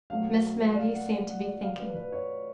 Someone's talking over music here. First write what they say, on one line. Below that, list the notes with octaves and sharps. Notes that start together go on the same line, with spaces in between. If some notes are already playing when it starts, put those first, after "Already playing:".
Miss Maggie seemed to be thinking.
B2 F#3 A3 F5
D5
F5
F#5
D5
F#5
D5
F5
B4
B4
C#5